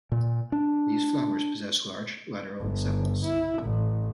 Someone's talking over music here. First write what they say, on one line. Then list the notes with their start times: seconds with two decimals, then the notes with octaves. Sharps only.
These flowers possess large lateral sepals.
0.12 A#2
0.52 D4
2.60 G1
3.25 E4
3.63 A1